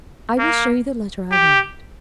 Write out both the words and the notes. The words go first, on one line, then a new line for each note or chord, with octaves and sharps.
"I will show you the letter I write."
A#3
G4